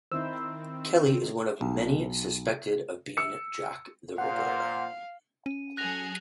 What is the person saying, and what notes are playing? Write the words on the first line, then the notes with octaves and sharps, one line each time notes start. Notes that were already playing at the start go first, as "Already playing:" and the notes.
Kelly is one of many suspected of being Jack the Ripper.
D#3 C4 D#4 E4 C5 E6
B1
E6 C#7
A#2 C5 F5 F#5
C#4 D#7
F#3 G#4 A4 F#6 A#6 F7